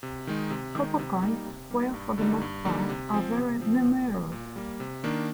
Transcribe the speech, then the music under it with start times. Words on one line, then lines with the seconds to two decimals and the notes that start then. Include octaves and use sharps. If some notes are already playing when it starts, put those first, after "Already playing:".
Copper coins, square for the most part, are very numerous.
0.03 C3
0.27 D#3 G#3 D#4
0.50 C3
0.75 D#3 G#3 D#4
0.99 C3
1.22 G3 A#3 D#4
1.46 C3
1.70 G3 A#3 D#4
1.94 G2
2.18 D3 G3 A#3 D#4
2.41 G2
2.65 D3 G3 A#3 D#4
2.89 C3
3.14 F3 C4
3.37 C3
3.61 F3 C4
3.85 A#2
4.08 G3 A#3
4.32 A#2
4.56 G3 A#3
4.80 C3
5.04 D#3 A#3 D4